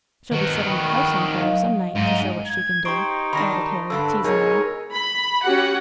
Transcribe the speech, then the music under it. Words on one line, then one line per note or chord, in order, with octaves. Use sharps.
"She'll be setting the house on fire some night, to show what she can do," added Harry, teasingly.
D#3 F#4 B4
G5 B5 C#6
F#3 D#5 F5
G#2 D#4
G#6
D#4 G4 C5 C6 C#6 D7
D#3 G3 D4 B5 C#6 A#6
G2 D3 D4 A4 B4 E6
G#2 B2 D#4 G#4 A#4 C#5
B5
C#4 F#4 G4 F#5